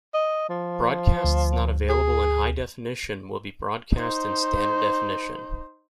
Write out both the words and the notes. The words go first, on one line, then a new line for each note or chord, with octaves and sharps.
Broadcasts not available in high definition will be broadcast in standard definition.
D#5
F3
D2
G#4
D#4 C5